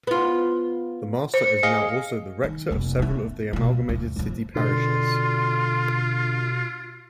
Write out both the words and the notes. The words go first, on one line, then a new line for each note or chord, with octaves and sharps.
The Master is now also the rector of several of the amalgamated city parishes.
B3 F4
C5 C#7
G#4 D#5 F5
D#3
F1 A#3
B3 E4
B2 F4
D2
F2 F3
B2 D3 F4 C6